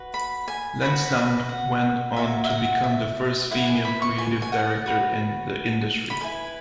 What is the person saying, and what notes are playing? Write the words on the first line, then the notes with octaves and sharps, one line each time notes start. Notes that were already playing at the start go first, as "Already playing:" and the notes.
Lansdowne went on to become the first female creative director in the industry.
Already playing: F#4 B4
B5
G#5
F#4 B4 B5
F#5
F#4 C#5 E5
E5
F#5
E5
E4 B4 F#5
G#5
B5
C#6
G#5
G#5
F#5
F#4 B4
B5
E4 B4 G#5